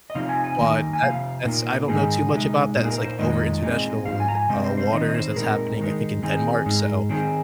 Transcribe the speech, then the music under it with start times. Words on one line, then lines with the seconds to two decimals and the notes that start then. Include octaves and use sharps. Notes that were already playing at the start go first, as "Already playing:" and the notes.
but that's that's I don't know too much about that. It's like over international, uh, waters that's happening, I think in Denmark, so.
0.10 D#5
0.15 C3 F3 C4 D#4 F5
0.29 G#5
0.44 G#5
0.59 D#3 A#3 D#4
0.93 G#5
1.02 C3 F3 F5
1.45 A#2 A#3 D#4
1.88 G#2 D#3 G#3 D#4 G#4
2.32 C3 G#3 D#4
2.76 A#2 A#3 D#4
2.85 G#4
2.91 A#4
3.04 C5
3.19 F2 D#3 G#3 D#4 D#5
3.62 A#2 G#3 C4 D#4
4.06 G#2 F3 F5
4.20 G#5
4.29 A#5
4.35 G#5
4.49 C3 G#3 C4 D#5
4.64 C5
4.77 C5
4.92 D#3 C4 D#4 D#5
5.09 D#5
5.14 C5
5.31 G#4
5.36 A#2 G#3 C4 D#4 A#4
5.80 D#3 G#3 D#4
6.22 D#3 C4 D#4 G#4
6.66 G#2 G#3 D#4
7.09 D#3 C4 D#4 G#4